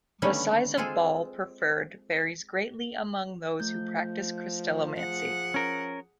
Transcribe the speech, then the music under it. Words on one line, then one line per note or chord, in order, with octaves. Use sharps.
The size of ball preferred varies greatly among those who practice crystallomancy.
D3 D#3 G3 A3 B3 C#4
G#3 C4 F4 G#4 A4
F3 A3 G6
G#4 F#5
C#4 A#4